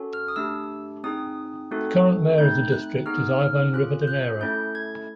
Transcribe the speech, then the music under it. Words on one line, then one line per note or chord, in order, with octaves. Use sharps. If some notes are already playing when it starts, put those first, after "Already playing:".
The current mayor of the district is Ivan Rivadeneyra.
Already playing: C#4 F#4 A4
F6
D#6
A3 D4 G4 E6
C4 D#4 G#4 D#6
A3 C4 D#4 F#4 A4
A3 C4 D#4 G6
F#6
B3 D#4 G#4 F6
F6
C#4 F4 G#4 F#6
G6
F#6
A3 C#4 E4 A4 G6
G#6